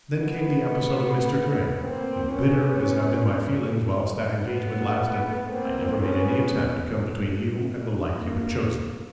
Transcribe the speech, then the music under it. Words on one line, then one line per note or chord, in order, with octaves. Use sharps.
Then came the episode of Mr. Grey; and bitter as have been my feelings whilst that engagement lasted, I never made any attempt to come between you and the life you had chosen.
A3 B3
A#3 C4
B3 C#4
A3 B3
A#3 C4
B3 C#4
A#3